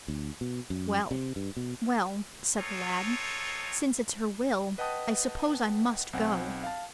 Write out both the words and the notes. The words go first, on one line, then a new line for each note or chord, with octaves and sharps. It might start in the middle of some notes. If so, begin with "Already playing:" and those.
"Well, well," said the lad, "since it's her will, I suppose I must go."
D2
B2
F#2
C3
G2
B2
C4 D#4 F4 A4 C#5
B4 D#5 F#5 G5 A5 D#6
B1 C4 F#5 G#5
F5 A5